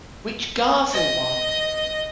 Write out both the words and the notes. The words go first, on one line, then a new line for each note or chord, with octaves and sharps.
Which Garza won.
D#5